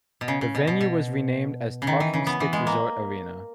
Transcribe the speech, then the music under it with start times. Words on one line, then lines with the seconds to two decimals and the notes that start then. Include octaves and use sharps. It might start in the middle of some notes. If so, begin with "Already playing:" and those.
The venue was renamed as Talking Stick Resort Arena.
0.21 B2
0.28 C#3
0.41 C#3
0.55 B2
0.67 B2
0.81 B2
1.82 C#3
1.87 D#3
2.00 E3
2.14 C#3
2.27 B3
2.40 E3
2.53 G#3
2.67 A#3